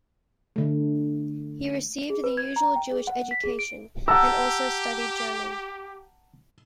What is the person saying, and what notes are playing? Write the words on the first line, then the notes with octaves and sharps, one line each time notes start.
He received the usual Jewish education, and also studied German.
D3 A3
G#4
B4
G#6
A#5
G5
G#4
F#5
B6
G#4
D7
G4 F#5 A5 A#5 E6